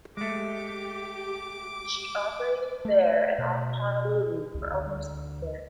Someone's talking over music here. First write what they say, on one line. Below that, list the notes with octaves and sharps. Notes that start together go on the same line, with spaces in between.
She operated there and off Honolulu for almost a year.
G#3 A3 G4 D6
A3
B2
C#2
D2